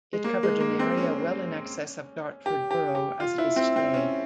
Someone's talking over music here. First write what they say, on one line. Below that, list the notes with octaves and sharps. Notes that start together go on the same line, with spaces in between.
It covered an area well in excess of Dartford Borough as it is today.
G#3
A#3
G#3
A#3
C4
C#4
G4
G4
G4
F4
E4
C4
C4
C#4